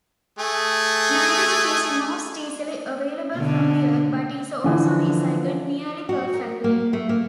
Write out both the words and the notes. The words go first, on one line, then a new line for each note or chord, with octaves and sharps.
Nitrogen is most easily available from the Earth, but is also recycled nearly perfectly.
A3 G#4
B2 D3
D3 E3 F3
F#4
A#4
A#3
A3
A#3